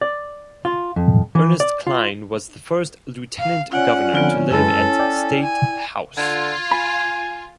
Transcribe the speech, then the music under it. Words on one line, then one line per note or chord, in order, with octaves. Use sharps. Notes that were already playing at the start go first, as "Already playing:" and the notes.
Ernest Kline was the first Lieutenant Governor to live at State House.
D5
F4
F2
E3
D5
F4
F5
C#4 F4 D5 F#5
D3 F3 B3 C4 F4 D5
F#2 G#3 E4 A4 B4
D5 G5
G#5
D3 F4 G#6
G#5 B5